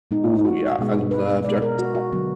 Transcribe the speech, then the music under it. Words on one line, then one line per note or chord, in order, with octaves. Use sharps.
Ooh, yeah, I love dark roast coffee.
A#2 G#3 B3 D#4
F#4
B2 G#3 B3
B4
B2 G#3 B3 D5
A#4
F#4
F#4
D3 F#3 B3